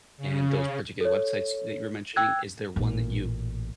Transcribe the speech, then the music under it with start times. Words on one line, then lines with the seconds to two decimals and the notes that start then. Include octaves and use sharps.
and those particular websites that you were mentioning. Is there one that you
0.17 C#3
1.01 A4 C#5
2.16 G5 E6 F#6 G#6
2.76 A1 A#2